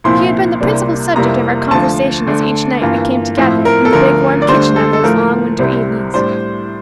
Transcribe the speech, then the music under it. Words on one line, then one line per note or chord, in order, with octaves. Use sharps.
He had been the principal subject of our conversation as each night we came together in the big warm kitchen on those long winter evenings.
C2 A#2 F3 C4 E4 C6
C2 C3 G3 A#3 D4
F2 C3 G3 A#3 E4 A#5
D2 D3 F3 A5
D2 D3 A3
G2 E3 A#3 F4
A2 F3 C4 E4
A#4
A4
D2 D3 F3 A#4
D5
D2 D3 G3 C5
A4
A4
A2 F3 A3 A#4
C2 C3 G3 C4
A2 G3 D4 C5